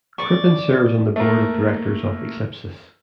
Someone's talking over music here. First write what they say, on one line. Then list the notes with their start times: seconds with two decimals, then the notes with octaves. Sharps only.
Crippen serves on the board of directors of Eclipsys.
0.18 D5 C#6
1.16 A3 A#3